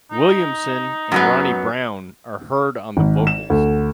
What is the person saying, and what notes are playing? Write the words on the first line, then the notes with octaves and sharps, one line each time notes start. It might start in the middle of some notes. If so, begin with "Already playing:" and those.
Williamson and Ronnie Browne are heard on the vocals.
D#4
F#2 F#3 B3
G#1
E7
D2